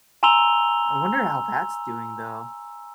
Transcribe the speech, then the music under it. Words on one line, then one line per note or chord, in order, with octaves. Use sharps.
I wonder how that's doing though.
G#5 A#5 C6 E6 F7 G7